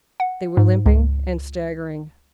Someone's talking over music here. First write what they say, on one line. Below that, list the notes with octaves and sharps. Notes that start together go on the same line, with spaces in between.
They were limping and staggering.
F#5
G#2
C#2